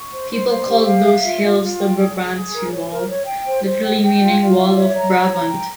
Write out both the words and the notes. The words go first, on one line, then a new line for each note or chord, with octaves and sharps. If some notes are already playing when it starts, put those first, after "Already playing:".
People called those hills the "Brabantse Wal", literally meaning "wall of Brabant".
Already playing: C#6
C5
C5
C5
G4
F5
E5
F4
F4
F4
G5
G#4
G#4
G#4
A#4
C#5
A#4
C#5
G5
C5
C5
G5
G5
F4
F4
E5
C#5
A#5
C#5
A#5
G5